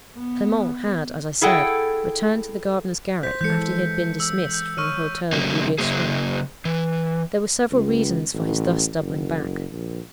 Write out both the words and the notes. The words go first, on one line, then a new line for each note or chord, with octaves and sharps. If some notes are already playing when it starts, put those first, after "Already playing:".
Clement had, as I said, returned to the gardener's garret after he had been dismissed from the Hotel Duguesclin. There were several reasons for his thus doubling back.
B3
E4 G#4 A4 F#5 G5
C5 G6 B6
E3 G#3 A4 G6 C#7
E6
G6
C#5 C#6 F6 D#7
C#3 F#3 G3 A3 A#3
C#3 F#3 A#3 G#4
E3
C#2
A1
F#1
A#1